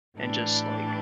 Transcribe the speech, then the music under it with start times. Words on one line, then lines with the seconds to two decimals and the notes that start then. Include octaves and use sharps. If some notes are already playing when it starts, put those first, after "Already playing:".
and just, like,
0.16 A2 E3 G3 D4